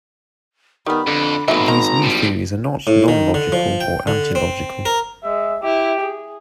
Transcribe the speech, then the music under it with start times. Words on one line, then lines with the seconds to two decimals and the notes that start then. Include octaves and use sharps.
These new theories are not non-logical or anti-logical.
0.86 D#3 G3 B3 B5
1.07 F2 D3
1.48 G#1 B2 F#3 A#3 D#5 E5
1.68 D#3 F#3 A#3 A#5
2.02 A2 G3
2.87 A2
3.08 D#3
3.34 D3
3.52 F3
3.81 G5
4.07 D3
4.35 C4
4.86 A#4
5.23 G#3 E5
5.62 E4 G4
6.00 G#4